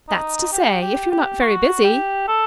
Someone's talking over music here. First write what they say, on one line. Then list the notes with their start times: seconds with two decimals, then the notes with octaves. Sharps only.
"That's to say if you're not very busy."
0.08 D#4
0.52 G4
0.81 G4
1.11 G4
1.41 F#4
1.84 G4
2.28 A4